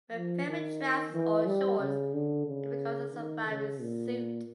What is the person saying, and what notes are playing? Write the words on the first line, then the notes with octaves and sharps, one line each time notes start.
When paired with trousers or shorts, it becomes a safari suit.
F3
D#3
E3
G3
C#3
D3
C#3
D#3
C#3
A#2